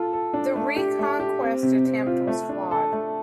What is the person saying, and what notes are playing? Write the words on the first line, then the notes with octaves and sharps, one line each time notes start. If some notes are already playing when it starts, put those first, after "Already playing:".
The reconquest attempt was flawed.
Already playing: F4 A4
A4
D4
A3
G4
A3
G4
C4
C3
C4
F4
A3
D4
A4
A3